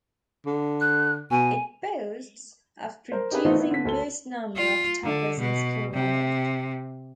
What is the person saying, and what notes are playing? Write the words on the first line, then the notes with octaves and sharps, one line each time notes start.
It boasts of producing most number of toppers in School level.
D3
F#6
B2 G#5
A#4 C5
D#4 G4 G#4 B4
E3 A3 B3 C4 D#4 F4
B3 E4
D3 B6
D2 A4 G7
F4
D3
B2
C3